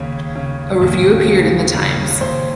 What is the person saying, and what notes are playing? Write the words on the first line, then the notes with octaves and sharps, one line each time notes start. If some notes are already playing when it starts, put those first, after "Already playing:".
A review appeared in "The Times".
Already playing: D#2 C#3 C#5
C#3
D#2
C#3
C#3
D#2 C5